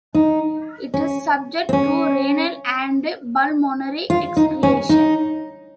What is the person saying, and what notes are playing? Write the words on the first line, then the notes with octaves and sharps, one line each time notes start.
It is subject to renal and pulmonary excretion.
D#4
C#4
C4
C#4
F4
D#4
C#4
D#4